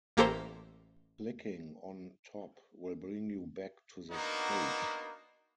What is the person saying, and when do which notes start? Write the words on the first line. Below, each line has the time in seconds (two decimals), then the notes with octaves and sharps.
Clicking on "Top" will bring you back to this page.
0.17 A1 A#3 G4 A4 A#4 C5
4.11 A#3 B3 D4 D#4 F#4